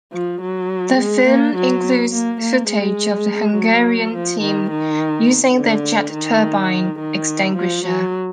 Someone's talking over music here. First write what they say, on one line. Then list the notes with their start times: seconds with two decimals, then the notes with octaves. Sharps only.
The film includes footage of the Hungarian team using their jet turbine extinguisher.
0.13 F3
0.41 F#3
0.99 G#3
1.28 A#3
1.56 F#3
2.13 A#3
2.41 A#3
2.71 G#3
3.56 F#3
4.14 F3
4.41 D#3
4.71 D#3
5.56 D3
6.13 D#3
6.99 D#3
7.56 F3
7.85 F#3